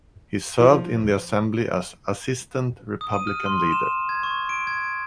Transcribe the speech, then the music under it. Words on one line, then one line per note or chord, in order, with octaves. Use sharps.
He served in the Assembly as Assistant Republican Leader.
F3
D#6
D#7
F6
C6
C6
E7
G#6
C#6
D7
G#6